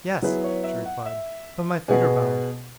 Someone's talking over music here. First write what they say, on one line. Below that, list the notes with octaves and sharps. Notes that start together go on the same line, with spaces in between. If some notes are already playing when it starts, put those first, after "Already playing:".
"Yes," she replied, "but my feet are bound."
F#3 B3 E4 G#4 B4
C#5
E5
F#5
E5
B2 B3 F#4 G#4 B4